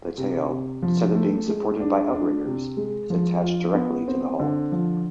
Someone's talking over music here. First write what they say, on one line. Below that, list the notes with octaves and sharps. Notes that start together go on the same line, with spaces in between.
The tail, instead of being supported by outriggers, is attached directly to the hull.
C3
C3
F3
A3
G#3
D4
D4
C3
G#3
F3
F4
B3
C4
D3
F3